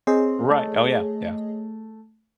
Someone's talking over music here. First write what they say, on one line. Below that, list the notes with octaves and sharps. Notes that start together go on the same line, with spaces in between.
Right, oh yeah, yeah.
C4 G#4 C#5 D#5
A3